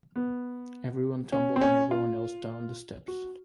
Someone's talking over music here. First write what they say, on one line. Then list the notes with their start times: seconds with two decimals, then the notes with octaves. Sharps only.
Everyone tumbled on everyone else down the steps.
0.16 B3
1.32 C#4
1.56 C4
1.61 C#4
1.91 F4
3.08 F#4